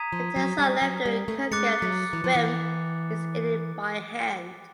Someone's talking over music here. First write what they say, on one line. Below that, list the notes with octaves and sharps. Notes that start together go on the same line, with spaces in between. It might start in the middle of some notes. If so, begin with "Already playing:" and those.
The tails are left during cooking as the shrimp is eaten by hand.
Already playing: A#5 D#6 G#6 B6 D#7
F3
F#3
G3
F#3
G3
A3
G#3 D6 F#6 A6 C#7
F#3
E3
F3
E3